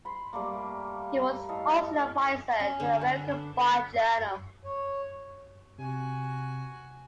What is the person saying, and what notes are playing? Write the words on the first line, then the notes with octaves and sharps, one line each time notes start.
He was also an advisor to the "American Bar Journal".
B5 C6
G3 A3 A#3
A2 A4 D#5 F5
C#4
D3
B4
D4
C#5
C3 F#4 G#5